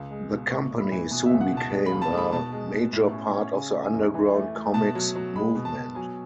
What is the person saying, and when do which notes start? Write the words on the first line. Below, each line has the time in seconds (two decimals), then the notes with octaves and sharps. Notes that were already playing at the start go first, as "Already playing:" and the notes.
The company soon became a major part of the underground comix movement.
Already playing: C#2
0.11 G#3
0.30 B2
0.51 A2 C#6
0.71 A2
0.81 B5
0.91 E3
1.11 B2 G#5
1.26 C#2 E5
1.41 F#5
1.52 B2
1.57 A5
1.72 G#3
1.86 B5
1.92 D#2
2.02 A5
2.12 G#3
2.17 B5
2.32 B2 A5
2.52 G#3
2.73 B2
2.93 A2
3.12 C#4
3.33 C#4
3.53 C#3 G#5
3.73 A3
3.83 G#5
3.94 E2
4.14 E3
4.34 A3
4.55 A3
4.74 B2 A5
4.95 F#3
5.16 F#3
5.36 G#3 B5
5.55 B2
5.65 A5
5.76 B2
5.95 F#3 G#5